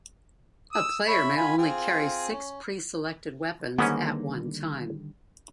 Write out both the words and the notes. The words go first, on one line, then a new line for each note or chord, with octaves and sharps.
A player may only carry six pre-selected weapons at one time.
D#6 E6
C#5 E5 B5
F4 G#5 B5
C4 F4 G#4
C#4
G#2 D3 D#3 G3 A#3 B3 C#4